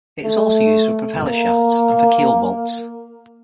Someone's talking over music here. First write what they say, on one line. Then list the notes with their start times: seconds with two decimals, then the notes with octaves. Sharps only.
It is also used for propeller shafts and for keel bolts.
0.22 A3
1.21 A#3